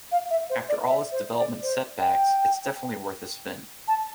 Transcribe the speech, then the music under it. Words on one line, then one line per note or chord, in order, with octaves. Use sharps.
After all its development setbacks, it's definitely worth a spin.
F5
E5
C5
D5
E5
C5
D5
C5
G5
A5